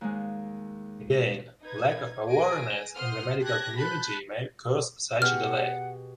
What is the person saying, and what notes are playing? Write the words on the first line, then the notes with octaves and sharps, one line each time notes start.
Again, lack of awareness in the medical community may cause such a delay.
D#2 G#3
D#4 B4 G#6
G#4 B4 G#5 A#6 D7
C5 F#5 C6 D#6 F6
G4 A5 F#6 G#6 A#6
A5 B5 F#6 G6
B2 G4 G#4 F#5 F6